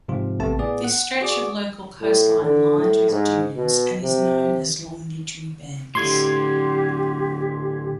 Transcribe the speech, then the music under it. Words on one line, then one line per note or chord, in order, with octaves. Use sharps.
This stretch of local coastline lined with dunes and is known as Longniddry Bents.
G#2 C3 F3 F4
A1 C3 A3 B3 A5
A2 B3 G#4 D5
F#5
F#4 G#4 D5 D6
A2
D3
A2
G#2
B2
C3
A2 D3 G4 C6 G#6